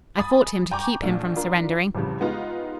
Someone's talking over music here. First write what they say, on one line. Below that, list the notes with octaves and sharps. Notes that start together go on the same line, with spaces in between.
I fought him to keep him from surrendering.
G#5 B5 D#6 A6
G5 G#5 A#5 C#6 D6
A#1 A3 D4
D4 F4 A#4
A1 F2 C#3 G3
G#3 B3 D#4 F4 G4